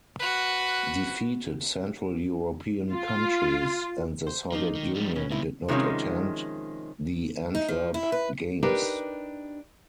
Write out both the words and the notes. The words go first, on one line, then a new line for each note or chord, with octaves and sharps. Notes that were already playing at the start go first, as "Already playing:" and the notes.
Defeated central European countries and the Soviet Union did not attend the Antwerp games.
F#4 B4
F4
C5
F3 A#3 D#4
D#3
F3 G3
B2 C#4
A#2 D#3 C4 E4
C3 D#3 F3 G#3 C#4
D#4
F3
E4
B4
D4 D#4 G4 A#4 B4